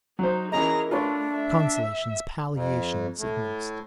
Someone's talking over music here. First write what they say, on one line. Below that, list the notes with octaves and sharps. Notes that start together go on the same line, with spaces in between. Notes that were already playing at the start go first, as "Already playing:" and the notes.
Consolations, palliations at most.
F#3 D#4 C5
E3 C#4 D#4 G#4 A#4 A#5
A3 D4 F4 B4 C#5
E5
F2
A2